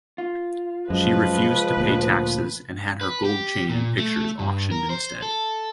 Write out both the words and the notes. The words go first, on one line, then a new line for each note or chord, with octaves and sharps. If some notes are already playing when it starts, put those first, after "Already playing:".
She refused to pay taxes and had her gold chain and pictures auctioned instead.
F4
F#2 F3 G#3 B4
D2 A#2
B4
G4
A#2
A3
G2
A#4
C5
A4